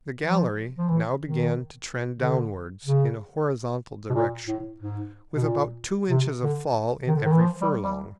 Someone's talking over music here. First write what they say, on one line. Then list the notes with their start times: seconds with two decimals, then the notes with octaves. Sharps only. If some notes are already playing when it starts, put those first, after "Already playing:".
The gallery now began to trend downwards in a horizontal direction, with about two inches of fall in every furlong.
0.24 F3
0.78 F3
0.89 E3
1.22 D#3
2.18 D3
2.85 C#3
4.10 B2
4.14 A#2
4.47 A2
4.80 G#2
5.36 B2
5.44 A#2
6.10 C3
6.43 D3
7.08 D#3
7.16 D3
7.25 D#3
7.32 E3
7.40 F3
7.62 G3
7.84 G3